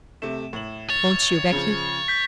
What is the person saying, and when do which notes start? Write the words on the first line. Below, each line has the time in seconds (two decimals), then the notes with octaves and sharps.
Won't you, Becky?'
0.22 C3 A3 E7
0.53 A2 F#7
0.90 C#5 A6
1.52 C#3 F3
2.08 G6 B6